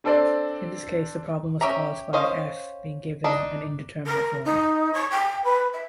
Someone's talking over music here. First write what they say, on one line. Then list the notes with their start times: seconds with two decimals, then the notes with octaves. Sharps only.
In this case the problem was caused by "f" being given an indeterminate form.
0.04 C4 D4 A4 C5 D5
1.61 C#4 G4 E5 A#5
2.13 C#4 C5 D#5 F5
3.24 D4 D#4
4.06 A#4
4.45 D#4
4.94 C#5
5.11 G5
5.44 B4
5.73 E5